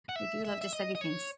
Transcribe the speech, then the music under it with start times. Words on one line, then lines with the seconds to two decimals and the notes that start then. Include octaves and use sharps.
We do love to study things.
0.09 F#5
0.16 E5
0.45 E5
0.62 E5
0.73 D#5
0.95 D#5
1.01 C#5